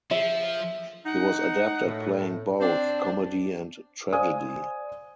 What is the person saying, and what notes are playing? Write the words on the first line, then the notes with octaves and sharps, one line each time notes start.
He was adept at playing both comedy and tragedy.
F3 E5
D#4 F#5
A2
C4 D4
C5 D5 F5 G#5 D#6